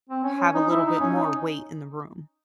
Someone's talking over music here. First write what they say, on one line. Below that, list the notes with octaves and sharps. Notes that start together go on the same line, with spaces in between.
have a little bit more weight in the room.
C4
C#4
C#4
D#4
E4
D#4
C#4
D#4